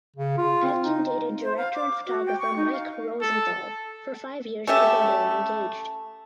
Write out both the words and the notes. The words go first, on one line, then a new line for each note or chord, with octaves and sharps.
Atkin dated director and photographer Mike Rosenthal for five years before they were engaged.
C#3
F4
C4
D#4
C5
F5
D6
F#4
G5
C#6
D#4
F5
A4
A3 C#4 G4 E5